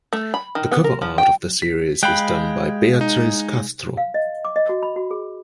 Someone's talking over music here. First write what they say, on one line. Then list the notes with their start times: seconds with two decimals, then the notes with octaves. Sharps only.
The cover art of the series is done by Beatriz Castro.
0.13 A3
0.34 B5
0.55 D#3
0.71 B3
0.84 A#4
1.02 F3
1.18 G5
1.62 B6
2.03 G#3 F5 G5 B5 F#6
3.01 D#4
3.97 F5
4.14 D#5
4.45 D6
4.56 D#5
4.69 F#4
4.83 B5
4.96 F#4
5.11 G#4